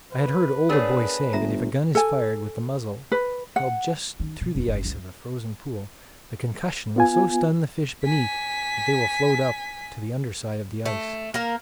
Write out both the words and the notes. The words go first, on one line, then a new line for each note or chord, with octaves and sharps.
I had heard older boys say that if a gun is fired with the muzzle held just through the ice of a frozen pool, the concussion will so stun the fish beneath that they will float up to the under side of the ice.
B4
B3 D4 G#4 A#4 C#5
G1 E5 A#5
A4 G#5
B4
F#5
D#3
B2
F1
F#1
C#2
B3 F4 G#5
G#5 B6
A3
A#3 A#4